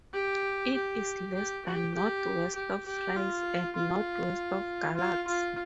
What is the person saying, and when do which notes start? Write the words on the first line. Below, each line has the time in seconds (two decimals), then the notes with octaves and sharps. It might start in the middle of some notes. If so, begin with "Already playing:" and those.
It is less than northwest of Fries and northwest of Galax.
0.14 G4
0.75 G4
1.34 G4
1.65 G4
1.95 G4
2.55 G4
2.86 G4
3.16 F4
3.76 F4
4.97 F4
5.27 F4